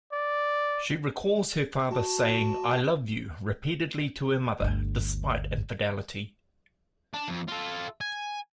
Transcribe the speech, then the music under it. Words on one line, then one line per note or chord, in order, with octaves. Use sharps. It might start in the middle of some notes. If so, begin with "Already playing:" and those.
She recalls her father saying "I love you" repeatedly to her mother, despite infidelity.
D5
F#4 A5
G1 D2
D4
F2
F4 A4
G#5